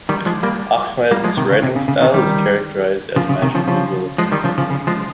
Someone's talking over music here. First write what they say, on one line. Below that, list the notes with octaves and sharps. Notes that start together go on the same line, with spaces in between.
Ahmed's writing style is characterized as magical realism.
D#3 G3
F3 G#3
G3 A#3
G3 A#3
F3 G#3
C3 D#3
C#3
C3
C#3
C#3
C3 D#3
D#3 G3
C#3 F3
C#3
C3 D#3
C#3 F3
C#3 F3
F3 G#3
D#3 G3
C#3 F3
C#3 F3
C#3
F3 G#3